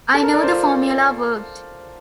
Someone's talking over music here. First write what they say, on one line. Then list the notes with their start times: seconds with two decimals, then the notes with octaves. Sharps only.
I knew the formula worked.
0.14 A4
0.23 A#4
0.34 D5
0.43 C5
0.53 F4